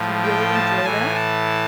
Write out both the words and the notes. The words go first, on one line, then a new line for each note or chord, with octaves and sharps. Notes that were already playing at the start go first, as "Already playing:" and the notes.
Do you really enjoy that?
Already playing: A2 F3
G5
A5
A2 E3 G#5
A5